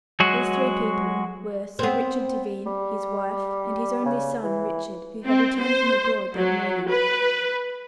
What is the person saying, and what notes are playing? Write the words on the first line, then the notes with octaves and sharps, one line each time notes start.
These three people were Sir Richard Devine, his wife, and his only son Richard, who had returned from abroad that morning.
F#3 G#3 F#4
B3 C4
G3
C#3
E3
C4
C5
F#3
B4